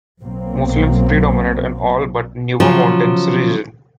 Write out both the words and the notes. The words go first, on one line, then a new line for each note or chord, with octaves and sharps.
Muslims predominate in all but Nuba Mountains region.
B1 B2 F#3 A#3 C4
C#3 F3 F#3